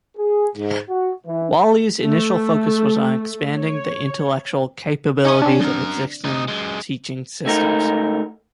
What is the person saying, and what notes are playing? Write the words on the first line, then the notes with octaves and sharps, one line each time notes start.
Wally's initial focus was on expanding the intellectual capabilities of existing teaching systems.
G#4
G#2
F#4
E3
A3
C#5
C#4 D#4 C#5 D#6
C4 D4
F#2 A#4
D2 D#4
F#2 G#3
C#2 A3 D#4 A#4